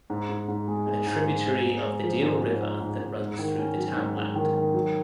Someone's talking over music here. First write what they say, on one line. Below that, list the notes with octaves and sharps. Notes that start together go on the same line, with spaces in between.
A tributary of the Deel river that runs through the townland.
G#2
G#2
G#2
G#3
G#3
G#2
G#3
G#2
G#3
G#3
F3
G#2
G#2
G#2
G#2
G#2
G#2
D#3
C#4
F#3
G#2
G#2
D#3
D#3
F#3